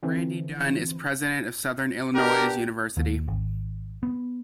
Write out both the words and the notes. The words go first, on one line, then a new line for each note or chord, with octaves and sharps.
Randy Dunn is President of Southern Illinois University.
D3 E3 F3 C4
B3 D4 G4 A#4
D#2
G#1
B3